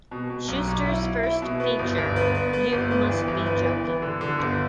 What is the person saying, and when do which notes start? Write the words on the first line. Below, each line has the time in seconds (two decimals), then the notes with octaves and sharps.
Schuster's first feature, You Must Be Joking!
0.11 B2
0.30 B2
0.48 B1
0.68 B1
0.86 E4
1.04 E4
1.23 E4
1.42 B2
1.60 B3
1.79 G1
1.98 G1
2.16 B3
2.35 B3
2.53 B3
2.72 G1
2.91 B3
3.09 E3
3.28 G1
3.46 B3
3.66 E3
3.84 B3
4.02 D3
4.21 D3
4.39 G1